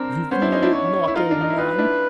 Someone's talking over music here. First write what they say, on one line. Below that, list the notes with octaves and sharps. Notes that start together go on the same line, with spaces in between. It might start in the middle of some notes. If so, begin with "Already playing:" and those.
Reveal it not, oh Man!
Already playing: C4 D4 A#4
B3 C#4 C5
D4 E4
C#4 D#4
D4 E4
C#5
E4
D#4 F4 A#4
D4
D#4
E4
D#4 F4 B4
D4 E4